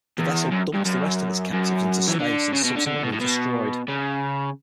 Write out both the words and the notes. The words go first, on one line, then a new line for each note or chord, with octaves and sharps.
The vessel dumps the rest of its captives into space and is subsequently destroyed.
E2
F#2
G2
F#2
F#2
E3
D3
C#3
B2
D3
D3
B2
A2
B2
C#3